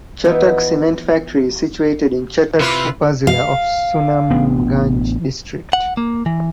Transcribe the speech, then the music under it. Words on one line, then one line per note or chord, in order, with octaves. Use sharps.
Chhatak Cement Factory is situated in Chhatak Upazila of Sunamganj district.
E3 F3 B3 D#4 E5
C3 E4 F4 B4
F5
A1 B3 D4
F#5
A#3
E3